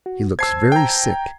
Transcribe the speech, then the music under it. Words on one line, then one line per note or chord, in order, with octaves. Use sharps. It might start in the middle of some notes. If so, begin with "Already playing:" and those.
He looks very sick.
F#4
C5 A5 E6 G#6 C7
G5 A#5